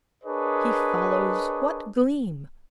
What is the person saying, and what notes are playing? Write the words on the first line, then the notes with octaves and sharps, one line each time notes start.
He follows what gleam?
D4 G#4 A#4 B4 C#5 D#5